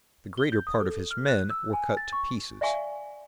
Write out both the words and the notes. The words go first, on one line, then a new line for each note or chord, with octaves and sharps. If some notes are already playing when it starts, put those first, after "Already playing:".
The greater part of his men were cut to pieces.
G7
G6
D#6
A4
F6
F#6
E6
G#5
A6
C#6
D5 E5 F5 G#5 C#6